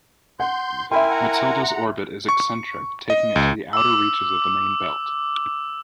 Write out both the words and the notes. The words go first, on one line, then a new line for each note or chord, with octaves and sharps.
Mathilde's orbit is eccentric, taking it to the outer reaches of the main belt.
F#5 C6 G6
E4 A#4 E5 G5 G#5 B5 C6
F#5 A#5
C#6
D#5
C#2
D6 E6